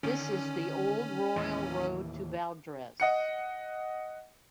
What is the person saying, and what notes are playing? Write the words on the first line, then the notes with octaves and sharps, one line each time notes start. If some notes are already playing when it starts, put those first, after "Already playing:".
This is the old royal road to Valdres.
D3 D#3 C#4
D#2 A2 E3
D#5 F#5 C#7